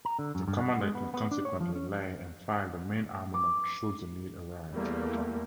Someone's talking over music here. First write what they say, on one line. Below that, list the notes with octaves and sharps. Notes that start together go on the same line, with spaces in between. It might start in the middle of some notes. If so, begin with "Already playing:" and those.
The commander can consequently lay and fire the main armament should the need arise.
A#5
D3
F#2
G2
F#5
G#3
B3
B3
D4
C#5
F3
C#4
D6
E2 G3 A3 A#3